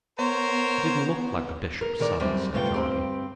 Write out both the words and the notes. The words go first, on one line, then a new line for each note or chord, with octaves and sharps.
"He didn't look like a bishop's son," said Johnny.
B3 A#4 C5 C#5
A#4
D3 D#3 A#4 D5
F#2 G3 C4
D2 G2 C3 F4 G5
G2 C4 G4